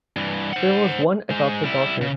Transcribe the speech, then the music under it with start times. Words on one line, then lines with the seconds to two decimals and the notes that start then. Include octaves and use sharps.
There was one adopted daughter.
0.16 G2 E3
0.53 C5 F#5
1.30 G#3 C5
1.64 G3 E4
2.02 C#3